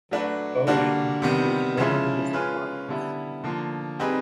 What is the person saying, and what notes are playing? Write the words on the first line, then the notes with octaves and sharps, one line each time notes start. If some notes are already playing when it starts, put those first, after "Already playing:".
Boeing is one of his clients.
F#3 A3 D4 F#4 B4
D3 G3 A#3 D4 F#4
C3 D#3 G3 B3
C#3 F3 G#3 C#4 E4
G#3 C#4 F4 G#4 B4
D3 G3 B3 E4
D3 F3 A#3
G3 C4 D#4 G#4 B4